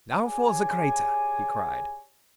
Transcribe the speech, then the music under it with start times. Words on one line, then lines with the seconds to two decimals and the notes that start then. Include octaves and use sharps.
"Now for the crater!" he cried.
0.20 G4 G#4 C#5 D5 G#5